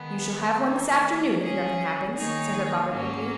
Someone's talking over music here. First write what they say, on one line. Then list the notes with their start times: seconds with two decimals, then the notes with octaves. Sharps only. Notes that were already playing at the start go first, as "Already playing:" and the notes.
"You shall have one this afternoon, if nothing happens," said her father quickly.
Already playing: D#3 G#3 B3
0.63 E3 A#3 D#4
1.39 F#3 C#4 G#4
2.15 D#3 A#3 D#4 G#4 C#5
2.91 G#2 F#3 A#3 C#4